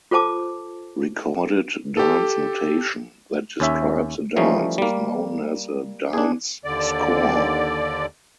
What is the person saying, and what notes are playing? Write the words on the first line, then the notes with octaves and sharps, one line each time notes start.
Recorded dance notation that describes a dance is known as a "dance score".
F4 A4 C5 A5 D6
G4 A4
D#2 C#4 E5
E3 F3 G3 A3 C#4 D#4
G3 A#3
D4 G#4
D#2 D3 D5